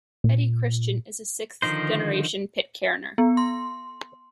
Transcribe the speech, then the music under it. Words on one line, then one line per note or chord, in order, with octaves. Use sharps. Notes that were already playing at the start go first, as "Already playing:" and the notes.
Betty Christian is a sixth-generation Pitcairner.
A#2
D3 D#3 F3 D#4 C5
B3
C6